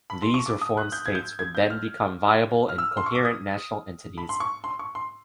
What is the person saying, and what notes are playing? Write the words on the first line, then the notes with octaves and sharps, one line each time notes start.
These reformed states would then become viable and coherent national entities.
B5
C6
C#6
D6
D#6
F#6
G6
G#6
G6
G#6
G6
F6
F6
E6
C6
C#6
D6
D#6
B5
C6
C#6
C6
C#6
C6